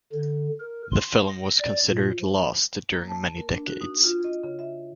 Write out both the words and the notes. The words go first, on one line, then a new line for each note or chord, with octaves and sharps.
The film was considered lost during many decades.
D3
A#4
C6
A#6
D5
A#2
F3
A#3
A5
A#4
D4
F#4
D#4
F4
D#5
C#3
E5